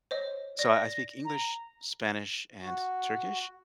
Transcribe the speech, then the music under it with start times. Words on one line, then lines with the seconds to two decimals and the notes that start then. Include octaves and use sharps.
So I I speak English, Spanish, and Turkish,
0.11 C5 C#5 D#5
0.59 D5 A#6
1.25 A#5
2.62 F#4